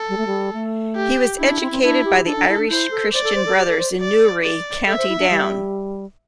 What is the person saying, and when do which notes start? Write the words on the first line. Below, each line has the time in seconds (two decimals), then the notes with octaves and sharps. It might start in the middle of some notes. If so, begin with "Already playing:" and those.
He was educated by the Irish Christian Brothers in Newry, County Down.
Already playing: A4
0.09 G3
0.17 A3
0.27 G3
0.53 A3
0.96 G4
1.39 D4 E4
1.61 C4
1.72 C4
1.83 D4 E4
2.05 G4
2.26 D4 A4
2.37 D4
2.49 E4
2.58 D4
2.69 E4 C5
2.91 A4
3.13 C5 D5
3.24 A4
3.35 C5
3.46 A4
3.56 G4
3.68 A4
3.78 C5
4.00 D5
4.43 D5
4.86 A4 E5
4.98 C5
5.09 E4
5.19 D4
5.30 G3